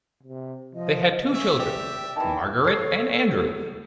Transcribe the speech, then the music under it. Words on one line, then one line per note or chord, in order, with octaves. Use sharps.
They had two children, Margaret and Andrew.
C3
F3 D#5
G#4 C#5 E5
G4 D5 E5
D#3 E3 A5
A4 C#5 C7